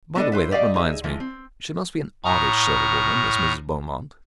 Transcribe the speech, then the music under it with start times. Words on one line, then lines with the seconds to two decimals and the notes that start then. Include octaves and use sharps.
By the way, that reminds me, she must be an oddish sort of woman, this Mrs. Beaumont.
0.15 G#3 B3 D4 A4 D5 D#5
0.32 E4 B4 C5
0.51 G4 D5 D#5 F5 G5
0.74 D#4 G#4 E5
1.04 E3 F3 G#3
1.20 C4
2.24 A2 A#5 C#6 D#6 F6